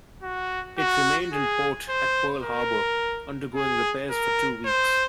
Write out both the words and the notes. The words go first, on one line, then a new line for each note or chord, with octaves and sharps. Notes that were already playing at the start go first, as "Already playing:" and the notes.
It remained in port at Pearl Harbor undergoing repairs for two weeks.
F#4
F#4
G#4
C5
A#4
G#4
A#4
C5